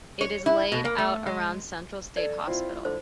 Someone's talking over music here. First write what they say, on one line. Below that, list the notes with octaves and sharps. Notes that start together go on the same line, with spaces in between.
It is laid out around Central State Hospital.
C#5
E4
B2
A#3
A3
G#3
A4 D5
C4 E4 F4
D3 C5